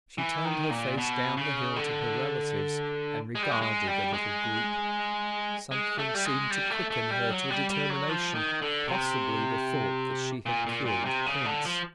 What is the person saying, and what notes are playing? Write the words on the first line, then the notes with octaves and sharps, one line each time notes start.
She turned her face down the hill to her relatives, and regarded the little group. Something seemed to quicken her to a determination; possibly the thought that she had killed Prince.
E3
D#3
A#2
B2
C#3
D3
G#3
G3
G#3
G#3
G3
G#3
G#3
A3
G3
G#3
G3
A3
A3
G3
F#3
G3
G3
F#3
F3
D#3
D3
C3
A#2
A#2
A#2
C3
C#3
D3
F3